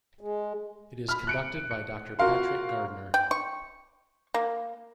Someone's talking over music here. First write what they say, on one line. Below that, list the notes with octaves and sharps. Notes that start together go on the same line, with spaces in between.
It is conducted by Doctor Patrick Gardner.
G#3
B5 F6
F#6 C#7 D7
C#7
F4 F#4 A#4 F5 C6
G5
C#6
A#3